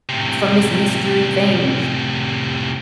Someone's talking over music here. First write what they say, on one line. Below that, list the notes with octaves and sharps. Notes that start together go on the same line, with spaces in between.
from this mystery thing."
A2 C3